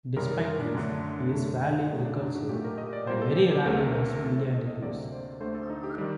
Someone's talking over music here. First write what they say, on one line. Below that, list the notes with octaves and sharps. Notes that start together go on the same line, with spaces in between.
Despite this, he is fairly reclusive and very rarely does media interviews.
F#2 D#3 G3 A#4
A#4
A#4
D4
F#2 D3 A3
F#2 D3 A3
F#2 D3 A3 D#4
D4
D#4
F#4
A#2 F#3 A3 G4
A#4
D#5
D5
A#2 G3 A#3 C5
A4
G4
A4
D2 C3 F#3 A3 A#4
A#4
A2 A3 A4
C5
D#5
D#5
D2 C3 F#3 A#3 D5
C5
D2 D3 A3 C5
A4
D#4
G4
D#3 G3